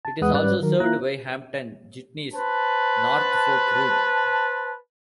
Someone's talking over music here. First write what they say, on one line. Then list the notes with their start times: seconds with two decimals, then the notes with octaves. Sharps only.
It is also served by Hampton Jitney's North Fork route.
0.05 A5
0.21 E2 G#3 B4 F#5 D#6
0.33 G#2 G3 C#4 B4 D5 F#6
0.61 D#3 F#3 A#4
0.80 A#3 E4 F4 A#5 F#6
2.33 B4 C5 A5